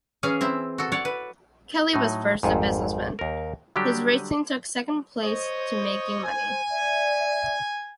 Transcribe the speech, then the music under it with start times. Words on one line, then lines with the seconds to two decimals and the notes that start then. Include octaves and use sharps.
Kelly was first a businessman; his racing took second place to making money.
0.23 E3 C#4 G#4 F5 G#5
0.41 C4 E4 E5
0.78 F#4 A4
0.92 C#5 D5 F#5
1.05 B4
1.93 A2 F#3 D#4
2.43 G#1 F2 G#2
3.19 D#2 A#4
3.76 D3 F#3 G3 D4 G4
5.23 C5 C#5 D#5
6.24 G#5
6.71 D5 E5